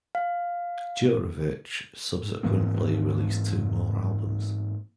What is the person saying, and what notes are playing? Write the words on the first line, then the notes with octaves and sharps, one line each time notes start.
Juravich subsequently released two more albums.
F5
G#2 E3 A#3 C4